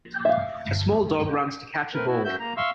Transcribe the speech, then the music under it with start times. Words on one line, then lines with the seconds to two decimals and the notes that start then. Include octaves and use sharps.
A small dog runs to catch a ball.
0.25 E5 F5
1.94 A3 C4 A#4 B4
2.07 B3 E4 F#4
2.25 F#2 F#4 E5 G6
2.40 A#3 A#5
2.57 E5 F5 C6 C#6 E6